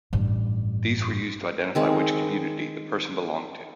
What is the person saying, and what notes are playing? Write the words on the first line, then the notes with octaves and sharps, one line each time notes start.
These were used to identify which community the person belonged to.
A1 G2
D#3 G#3 C4